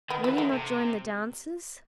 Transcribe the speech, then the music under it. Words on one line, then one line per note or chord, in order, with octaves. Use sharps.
Will you not join the dancers?
D#3 B3
E3 B3
D#3 A3
C3